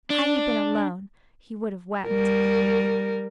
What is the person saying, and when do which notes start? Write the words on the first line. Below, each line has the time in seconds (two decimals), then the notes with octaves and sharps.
Had he been alone, he would have wept.
0.10 D4
2.08 G3 A#4